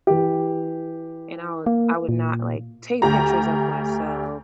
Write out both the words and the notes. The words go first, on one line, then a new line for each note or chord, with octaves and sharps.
and I would I would not, like, take pictures of myself.
E3 G4
A#3
A#2
D2 G4 A#5